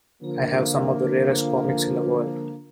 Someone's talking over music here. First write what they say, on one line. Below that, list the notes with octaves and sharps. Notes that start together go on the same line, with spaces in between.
I have some of the rarest comics in the world.
D3 F3 A#3